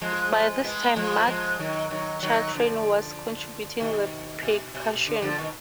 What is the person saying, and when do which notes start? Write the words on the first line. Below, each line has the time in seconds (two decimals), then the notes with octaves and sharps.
By this time Marc Chartrain was contributing the percussion.
0.01 F3 G#3
0.64 G#3 B3
0.96 F3 G#3
1.17 A#3
1.27 F3 G#3
1.59 D#3 F#3
1.90 D#3 F#3
2.23 D#3 F#3
2.54 D3 F3
3.80 B2 D#3
4.43 B2
4.75 B2
5.07 D3
5.22 D3 F3
5.38 B2 D#3